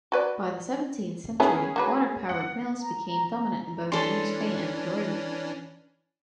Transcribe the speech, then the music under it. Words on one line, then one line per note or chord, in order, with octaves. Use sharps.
By the seventeenth century, water-powered mills became dominant in both New Spain and Peru.
F#4 B4 D5
D#3 B3 C#4 E4 G#4 G#5
A#3 F#4 B4
F#5
A#5
E3 C#4 D4 A4 C6